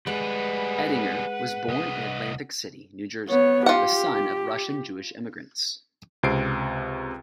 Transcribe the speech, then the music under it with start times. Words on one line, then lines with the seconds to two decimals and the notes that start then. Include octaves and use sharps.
Ettinger was born in Atlantic City, New Jersey, the son of Russian Jewish immigrants.
0.07 G3 G#3 G#4 B4 F#5
1.69 C2 D#5
3.29 B3 C#5
3.66 F4 G4 F#5
6.23 C#2 C3 C4 C7 D7